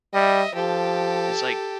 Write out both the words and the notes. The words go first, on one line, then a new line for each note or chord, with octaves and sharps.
It's like, eh,
G3 D#5 E5
F3 G4 A4